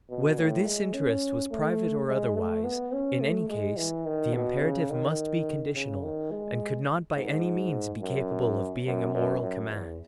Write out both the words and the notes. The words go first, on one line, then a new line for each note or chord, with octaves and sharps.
Whether this interest was private or otherwise, in any case the imperative must be conditional and could not by any means be capable of being a moral command.
B2
A2
G#3
C#4
A3
G#3
A3
B3
C#4
A3
G#3
E3
D#3
B2
C#3
D#3
C#3
D#3
G#3
G#2
F#2
F#2
F#2
F#2
E2